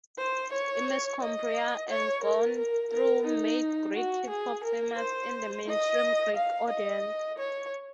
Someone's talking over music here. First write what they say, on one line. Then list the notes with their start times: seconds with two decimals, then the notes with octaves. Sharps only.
Imiskoumbria and Goin' Through made Greek hip-hop famous in the mainstream Greek audience.
0.18 C5
0.53 C#5
1.21 D#5
1.89 C#5
2.23 A#4
2.59 A#4
2.93 A#4
3.26 D#4
3.96 F#4
4.30 G#4
4.64 A#4
4.98 C5
5.68 D#5
6.36 F5
6.70 D#5
7.38 C#5